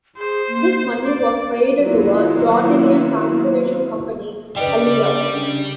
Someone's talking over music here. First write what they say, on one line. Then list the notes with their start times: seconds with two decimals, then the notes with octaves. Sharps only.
This money was paid to a Jordanian transportation company, Alia.
0.18 G#4 C5
0.48 A#3
1.05 D5
1.81 D#3 F#3 A#3 B3 E4 F4
4.56 C#3 G3 D4 B4 D5 D#5 G5